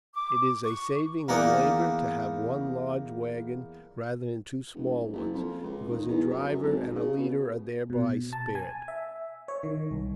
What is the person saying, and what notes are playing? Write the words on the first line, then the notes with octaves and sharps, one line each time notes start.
It is a saving of labour to have one large wagon, rather than two small ones, because a driver and a leader are thereby spared.
D6
C#6
E2 A#3 D#4 D5 F#5 G#5
E1
F#1
F#1
F2
C#2
D#3
E2
F#2
F#2
G#1
C#3
B2
B2
A5
G#5
E5
C#5
D#3
C2